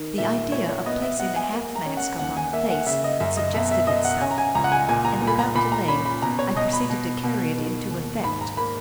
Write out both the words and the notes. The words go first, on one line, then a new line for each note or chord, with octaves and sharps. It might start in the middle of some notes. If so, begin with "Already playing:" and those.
The idea of placing a half-mask upon the face suggested itself, and without delay I proceeded to carry it into effect.
Already playing: D#3
A#2 E5
A#2 C#5
C#5
B3 D#5
E5
B3 F#5
G#5
A#3
A#5
C#4
F#5
D#2 F#5
G#5
A#3 E5
F#5
C#3 E5
D#5
F#2 E5
D#5
B2 E5
E5
B2 D#5
F#5
C#4 G#5
A#5
G#5
C#2 A#5
F#5
G#5
A#2 G#5
A#5
A#2
B5
A#5
A#2 B5
A#5
C#4 B5
B5
B2 A#5
C#5
B2 D#5
B5
B2
B2
D#3
D#2
G#2 B5
A#5
A#3 B5